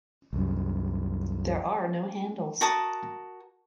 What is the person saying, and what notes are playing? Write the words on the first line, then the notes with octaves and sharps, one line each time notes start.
There are no handles.
C2 F#2
F#4 A#4 A5 D#6